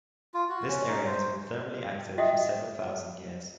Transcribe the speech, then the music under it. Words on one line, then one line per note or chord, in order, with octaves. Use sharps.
This area has been thermally active for several thousand years.
F4
F#4
C#4
D#4
C5
F#4 D#5 E5 F#5 G5 D#6